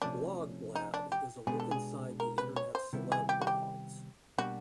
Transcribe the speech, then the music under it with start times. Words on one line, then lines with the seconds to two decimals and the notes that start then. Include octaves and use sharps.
"Blog Blab" is a look inside the internet celeb blogs.
0.02 C3 F3 A3 C#4 D4
0.75 D#4
0.94 D4
1.12 G4
1.47 B2 G#3 B3 D4 G4 G#4
1.60 A4
1.71 G#4
2.20 A#4
2.38 B4
2.56 C#5
2.75 C5
2.93 C3 D#3 G3 B3 E4
3.12 G#4
3.29 G4
3.41 F#4
3.47 G4
4.38 B2 G3 A#3 D4 F#4 G4